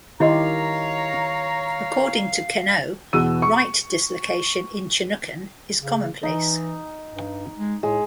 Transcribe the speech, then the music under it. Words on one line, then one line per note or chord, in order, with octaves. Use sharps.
According to Queneau, right dislocation in Chinookan is commonplace.
D#3 E4 G4 C#5 D#5 F5 A#5 C6
E2 B2 F#4 E6 D#7
C#6
C#3
E3 D#4
G2
G#3
A2 G#3